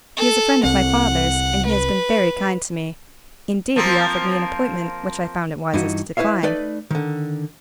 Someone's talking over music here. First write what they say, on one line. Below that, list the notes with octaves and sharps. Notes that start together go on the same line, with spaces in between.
He is a friend of my father's, and he has been very kind to me--indeed, he offered me an appointment, which I found it wisest to decline.
A4
C2 C4 F#5
B4
F3 A#3 C4
G2 E3 D#4 F#4
E4 B4 C#5 E5 F5
A3 D#4 B4 D5
D3 D#3